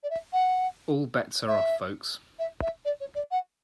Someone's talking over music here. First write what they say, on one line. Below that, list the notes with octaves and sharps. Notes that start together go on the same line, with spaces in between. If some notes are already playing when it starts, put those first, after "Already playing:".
All bets are off folks.
D5
E5
F#5
E5
E5
E5
D5
C#5
D5
F#5